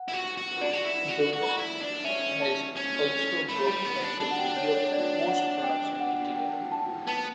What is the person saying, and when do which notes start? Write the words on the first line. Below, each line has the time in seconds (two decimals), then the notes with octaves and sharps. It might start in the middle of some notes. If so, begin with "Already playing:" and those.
Jones has also worked as a video post-production engineer.
Already playing: F#5
0.08 E4
0.13 F#4
0.37 F#4
0.61 D4 D5
0.73 F#4
0.85 E4
1.08 F#4
1.33 F#4
1.57 E4
1.81 D4
2.04 C#4 E5
2.41 A5
2.77 C#4
3.49 A3 B5
3.67 G3
3.85 B3
4.02 D4
4.20 D4 A5
4.31 F#5
4.38 G5
4.56 C#5
4.74 C#5
4.92 D5
5.28 F#5
5.63 G5
6.00 F#5
6.36 G5
6.72 A5
7.07 B3 A5